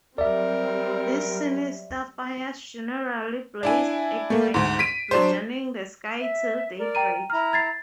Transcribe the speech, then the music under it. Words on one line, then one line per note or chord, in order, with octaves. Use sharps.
These sinister fires generally blazed at night, reddening the sky till daybreak.
F#3 G3 C4 A#4 D5 E5
D4 E4 G#5
A3 A#3
D2 G#2
B6 D7 D#7
F#3 D4 C5
E5
A#4 D5
G5 A#5 D#7
E4 A#5 F6
G#6 A6 C7